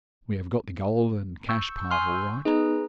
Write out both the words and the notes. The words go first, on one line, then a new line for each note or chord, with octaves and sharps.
'We have got the gold and cash part all right.
C#6 E6 G6
G#5 C6 F6
B3 D#4 G#4 B4 A#5